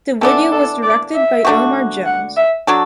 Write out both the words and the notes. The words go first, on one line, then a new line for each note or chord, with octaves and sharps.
The video was directed by Omar Jones.
E3 B3 D4 A4
A4
D5
E5
D3 A3 D4 F#4
F#5
E5
F#3 D4 F#4 A4